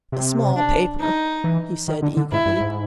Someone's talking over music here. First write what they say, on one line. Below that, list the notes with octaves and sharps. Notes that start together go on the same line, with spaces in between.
"A small paper," he said eagerly.
C3
D4
D#4
E3
D#3
D3
D3
G#2 E4
G2
G#2